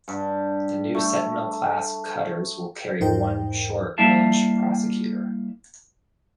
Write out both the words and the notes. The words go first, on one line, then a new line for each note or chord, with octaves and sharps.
The new Sentinel class cutters will carry one Short Range Prosecutor.
G2
A3
E2 G#2 D#4 A#4 C5 G5
G3 A#3 E4 E5 F5 A5